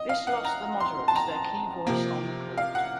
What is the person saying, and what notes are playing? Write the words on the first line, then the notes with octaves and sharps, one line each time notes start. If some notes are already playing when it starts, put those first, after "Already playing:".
This lost the moderates their key voice on the court.
Already playing: D#5
F5
F#5
A#5
C6
A5
A#5
C3 F3 A#3
F5
F#5